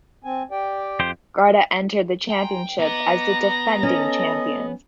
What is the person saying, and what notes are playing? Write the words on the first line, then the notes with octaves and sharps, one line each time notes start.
Garda entered the championship as the defending champions.
C4 G#5
G4 D5 G5
F2 G4 C5
G5 G#5 A#5 C6
B3 D#5 A#5 D6 A#6
C#4 A4 D#5 D#6